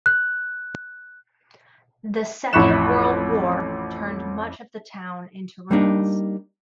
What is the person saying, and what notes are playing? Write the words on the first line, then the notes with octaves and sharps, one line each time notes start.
The Second World War turned much of the town into ruins.
F#6
A1 F2 B5 C#6 F#6 E7
G3 A#3 D4 D#4